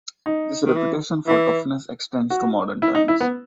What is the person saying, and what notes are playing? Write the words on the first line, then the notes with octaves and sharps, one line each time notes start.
This reputation for toughness extends to modern times.
D#4
D#3
E3
E3 E4
F#4
E4
D#4
E4
B3